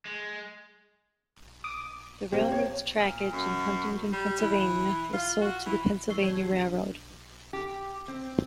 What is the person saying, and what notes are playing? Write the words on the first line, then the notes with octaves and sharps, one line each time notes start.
The railroad's trackage in Huntingdon, Pennsylvania was sold to the Pennsylvania Railroad.
G#3
D6 D#6
A#3 C4 G4
C5 C#5
A#2
F#2
G3
E3
F4
F#4
E3
E3 F#3 C#6 E6 C7 G7
C#5 D5 A5 G#6 C7
G4
D4
G4
C4